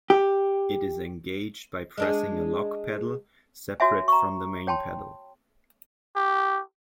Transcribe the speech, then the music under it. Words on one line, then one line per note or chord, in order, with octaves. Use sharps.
It is engaged by pressing a lock pedal separate from the main pedal.
G4
G#3 D4 G#4
F#4 C#5 E5 G#5
A#5 C#6
C#5 G5 A5 C6
G4